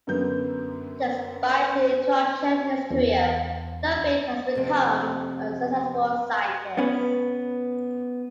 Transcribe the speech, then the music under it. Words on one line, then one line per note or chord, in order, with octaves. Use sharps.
Despite the interruption in his career, Ludvik has become a successful scientist.
F#2 D3 F#3 B3 G6
E2
F2 C3 C4
B3 C#4 B4